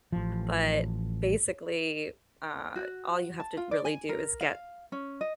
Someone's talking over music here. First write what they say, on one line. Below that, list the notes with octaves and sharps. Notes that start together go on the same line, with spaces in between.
but basically, uh, all you have to really do is get
A1 F3
F#4
A5
F4
D5
G#5
A#4
F5
C#4
D#5